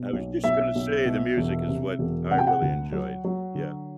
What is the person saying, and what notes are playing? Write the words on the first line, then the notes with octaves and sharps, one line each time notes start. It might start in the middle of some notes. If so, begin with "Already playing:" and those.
I was just gonna say, the music is what I really enjoyed. Yeah.
Already playing: B2
B1
B1 E5
B1
B2
E1
C3
E1
C3 F#5
G5
F#5
D2
F#3
F#3
D3